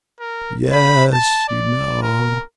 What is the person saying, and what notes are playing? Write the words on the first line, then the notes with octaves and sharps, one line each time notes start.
Yes, you know ...
A#4
B5
A5
D5
A#4